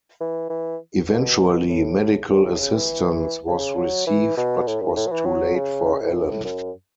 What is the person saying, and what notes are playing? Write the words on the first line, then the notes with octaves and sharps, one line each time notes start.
Eventually medical assistance was received but it was too late for Allen.
E3
E3
B2
A2
F#2
A2
C#3
E3
C#3
F#3
E3
B2
A2
F#2
A2
F#3
E3
F#3
C#3
C#3
A2
F#2
A2
F#2